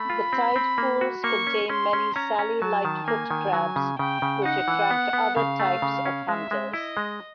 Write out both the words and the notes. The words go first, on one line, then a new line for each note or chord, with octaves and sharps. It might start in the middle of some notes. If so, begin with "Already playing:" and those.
The tide pools contain many Sally Lightfoot crabs, which attract other types of hunters.
Already playing: A3 B5
F4
C4
C4
A#3
F#4
A#3 C#6
C#4
C#4 C6
C#4
C#4 A#5
C#4
F#3 A5
D#3
A#3 G#5
D#3
F#3
C#3
C#3 G5
C#3
D#4 F#5
E3
B3
B3
C#3 F5
A3
C#3
C#4
G#3 E5
G#3
E4 D#5
G#3